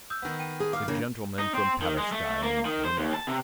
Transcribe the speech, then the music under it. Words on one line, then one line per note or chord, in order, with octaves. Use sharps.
The gentleman from Palestine came up.
D#6 E6 G6
D#3 B3
G5 D#7
G#4
F5 D6 D#6 F6
C#3 A#3 D4 A#4
D#4
C4
D#3
G#3
A3
A#3
D#3
C5
D#2
A5
C3